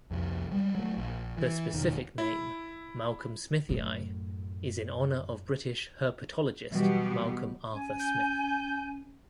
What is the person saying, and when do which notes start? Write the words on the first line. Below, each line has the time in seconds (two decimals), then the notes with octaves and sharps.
The specific name, "malcolmsmithi", is in honor of British herpetologist Malcolm Arthur Smith.
0.11 C2 F2
0.52 G3 G#3
0.75 F#3 A3
0.97 A#1
1.38 E3
1.74 E1 D#3
2.18 E4
3.69 F#2 A2
6.72 B2 E3 F#3 G3 B3 G4
7.73 C#4 G#5
7.99 G6